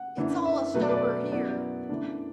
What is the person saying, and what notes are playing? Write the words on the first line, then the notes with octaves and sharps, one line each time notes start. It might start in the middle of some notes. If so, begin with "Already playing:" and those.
"It's all a stopper here."
Already playing: F#5
F#2 E3 D4
E5
B2 F#3 A3 B4
D5
B4
D5
B4
F#2 F#3 B3 E4 D5
F#2 E3 A3 D4